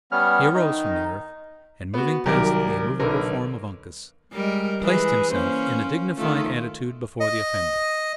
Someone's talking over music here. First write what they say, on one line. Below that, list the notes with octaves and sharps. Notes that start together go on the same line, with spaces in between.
He arose from the earth, and moving past the immovable form of Uncas, placed himself in a dignified attitude before the offender.
G3 B3 C#4 F6
D#3 D#4 D#5
B3 F#4
C2 D#3 F#3 G4 A#4
B1 D3 A#4 B4
G3 G#3 A#4
E3 G#3 G#4 B4
A#3 C#4 C5
D#3 A3 F4
D#5